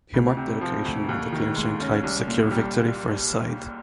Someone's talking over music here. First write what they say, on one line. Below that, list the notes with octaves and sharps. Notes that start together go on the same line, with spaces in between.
He marked the occasion with the clinching try to secure victory for his side.
D2
C3
F3
D2
D#2
D#3
G#3
C#4
C2
A#2
G3